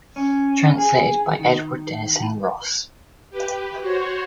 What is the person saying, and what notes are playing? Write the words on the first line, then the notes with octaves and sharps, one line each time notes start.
Translated by Edward Denison Ross.
C#4
G#4
D#3
G4 B4
F#4 C5 C#5